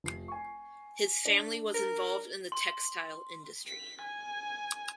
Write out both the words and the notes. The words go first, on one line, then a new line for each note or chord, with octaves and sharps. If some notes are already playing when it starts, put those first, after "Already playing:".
His family was involved in the textile industry.
F1 C7
G#5 C#6
D4
A#4
C6
B6
G#5